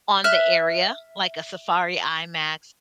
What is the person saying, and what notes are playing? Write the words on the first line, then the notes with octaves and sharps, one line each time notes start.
on the area, like a safari IMAX,
E5 F6 F#6